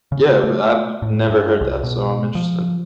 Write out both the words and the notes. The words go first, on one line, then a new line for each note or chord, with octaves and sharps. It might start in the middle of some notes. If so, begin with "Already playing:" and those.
Yeah, but I've n never heard that, so I'm interested.
C#3
A3
A2
G2
C2
B2
F3